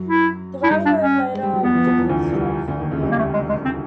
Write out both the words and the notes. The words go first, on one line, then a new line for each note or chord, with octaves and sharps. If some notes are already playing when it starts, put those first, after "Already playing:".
The railroad later removed its tracks from the area.
Already playing: F#2 F#3
E4
E4
G2 G3 D#4
D4
C#4
G#3
G3
F#3
F2 F3 B3
F2 F3
F2 F3
E2 E3
D2 D3
C2 C3
D2 D3
D#2 D#3
C#2 C#3
C2 C3
A#3
A3
G#3
G#3
C4